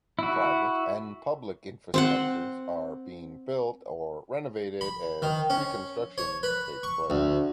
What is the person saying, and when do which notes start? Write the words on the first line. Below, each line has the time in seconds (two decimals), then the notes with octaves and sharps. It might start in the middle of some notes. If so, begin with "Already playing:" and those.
Private and public infrastructures are being built or renovated as reconstruction takes place.
0.19 E4 F#4
1.94 C4 C5 F#5
4.81 B5
5.22 D#3
5.50 C#4
6.18 C#5
6.43 B4
6.83 C#6
7.10 D2